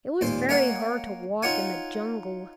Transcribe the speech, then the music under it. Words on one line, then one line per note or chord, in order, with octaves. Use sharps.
It was very hard to walk in the jungle.
D#2 A#2 C5
A#3 C#4 C#5 D#5 F5 F#5
D#4 F4 C#5 F#5 G#5